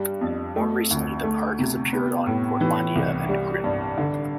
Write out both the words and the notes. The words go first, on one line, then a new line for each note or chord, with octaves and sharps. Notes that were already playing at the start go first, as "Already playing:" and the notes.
More recently, the park has appeared on "Portlandia" and "Grimm".
Already playing: G2 G3
F2
A3
D2
A3
C3
B3
A2
E3
C2
G3
G2
D3